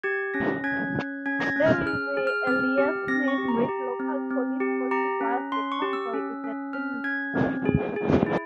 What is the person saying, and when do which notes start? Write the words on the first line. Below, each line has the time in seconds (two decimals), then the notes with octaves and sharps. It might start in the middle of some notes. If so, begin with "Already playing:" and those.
There is liaison with local police forces whilst the convoy is en route.
0.04 G4 G#6
0.34 C#4 A#6
0.64 C#4 G#6
0.95 C#4
1.26 C#4 G#6
1.40 A#6
1.46 G#6
1.56 C#4
1.66 F6
1.86 G#4 F6
2.17 G#4
2.27 F6
2.47 C4 F6
2.78 G4
3.08 C4 A#6
3.28 C#6
3.38 G4
3.48 A#5
3.68 G4
4.00 C4
4.30 C4
4.60 G4
4.91 G4 A#5
5.21 C#4
5.52 C#4 C6
5.72 C#6
5.82 G4
5.93 E6
6.13 C#4
6.44 C#4
6.73 C#4 F6
7.04 C#4 G#6
7.35 C4
7.65 G#4
7.96 G#4
8.26 E4